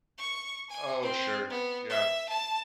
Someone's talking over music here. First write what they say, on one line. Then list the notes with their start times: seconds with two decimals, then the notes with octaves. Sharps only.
Oh, sure. Yeah.
0.18 C#6
0.70 G#5
1.02 C4
1.50 B3
1.89 E5
2.29 A5